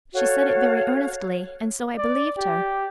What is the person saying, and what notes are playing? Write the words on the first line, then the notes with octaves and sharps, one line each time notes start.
She said it very earnestly, and so I believed her.
F#4 A4 C#5 F5
D5
G4